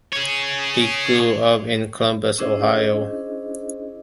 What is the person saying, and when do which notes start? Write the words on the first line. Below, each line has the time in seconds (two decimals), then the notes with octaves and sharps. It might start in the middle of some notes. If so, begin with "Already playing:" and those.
He grew up in Columbus, Ohio.
0.13 G#4 C#5
2.38 C#4 D4 E4 G#4 C5 D#5